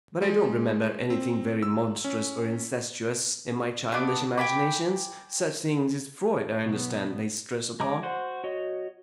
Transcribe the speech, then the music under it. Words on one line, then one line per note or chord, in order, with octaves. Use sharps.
But I don't remember anything very monstrous or incestuous in my childish imaginations,--such things as Freud, I understand, lays stress upon.
G#3
C4
E6
C#4
B3 D4 D6
G5 G#5 B5 D6
B2 F#3 B3
G#3 A#5 D6
F#4 C5 F#5 C6
F#4 C#5 D#5